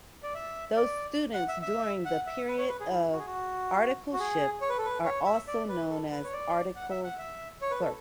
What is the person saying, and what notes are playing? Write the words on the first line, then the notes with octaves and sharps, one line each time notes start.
Those Students during the period of articleship are also known as Articled Clerk.
D5
E5
D5
F#5
E5
E5
F#5
E5
B4
C#5
B4
G#4
E4
F#4
G#4
F#4
F#4
G#4
C#5
B4
A4
B4
C#5
E5
D5
B4
A4
B4
C#5
D5
F#5
E5
F#5
E5
C#5
B4
A4